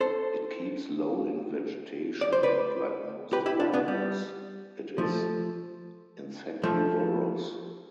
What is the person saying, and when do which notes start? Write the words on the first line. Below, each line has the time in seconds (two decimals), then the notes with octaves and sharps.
It keeps low in vegetation, and, like most warblers, it is insectivorous.
0.01 A4 C5
2.21 D5
2.33 C5
2.43 B4 D5
3.33 G4 B4
3.46 E4 G4
3.60 D4 F4
3.74 B3 D4
3.88 G3
4.98 F3 A3
6.63 F3 A3